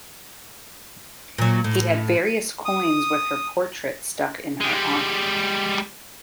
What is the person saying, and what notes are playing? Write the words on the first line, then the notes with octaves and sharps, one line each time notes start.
He had various coins with her portrait struck in her honor.
A#2 F#3
A2
D#6
G3 G#3